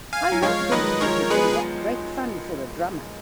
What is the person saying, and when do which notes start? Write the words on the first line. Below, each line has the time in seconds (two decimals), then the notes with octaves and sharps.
I loved their music and what great fun for a drummer.
0.13 F5 G#5
0.32 F#3
0.42 F3 G#3 C#5 F5
0.72 D#3 F#3 B4 D#5
1.01 F3 G#3 A#4 C#5
1.30 G#3 B3 G#4 B4